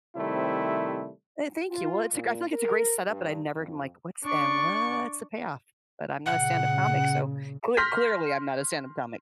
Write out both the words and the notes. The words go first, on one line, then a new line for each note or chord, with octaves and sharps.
Eh, thank you. Well, it's lik I feel like it's a great setup, but I never like, what's and what's the payoff? But I'm not a stand-up comic, so cle clearly I'm not a stand-up comic.
C3 D#3 G3 A3 C4 E4
F4
A#2
A#4
G2
F2
D4 C#6
A#2 C#3 F#5
C6 F6 G6 A#6 B6